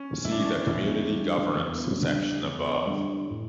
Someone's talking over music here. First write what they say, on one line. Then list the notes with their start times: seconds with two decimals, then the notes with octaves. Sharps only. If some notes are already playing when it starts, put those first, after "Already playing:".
See the "Community governance" section, above.
Already playing: C#4
0.24 D3 E4
0.29 G3 D4
0.39 C#4
0.46 D4
0.68 E2 E4
1.11 D3 G3
1.55 E2
1.99 D3 G3
2.42 E2
2.86 D3 G3
3.30 A2